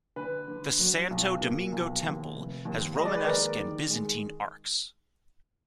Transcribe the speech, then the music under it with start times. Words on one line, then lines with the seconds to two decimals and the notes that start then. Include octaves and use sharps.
The Santo Domingo Temple has Romanesque and Byzantine arcs.
0.16 D3 B4
0.48 D3
0.79 F#3
1.10 B1
1.41 A#2
1.72 B1
2.03 D#2
2.35 F1
2.65 D#2
2.96 G#3 D#5
3.05 D5
3.15 B4
3.24 D#2 A#4 D5
3.59 D#3
3.90 G#3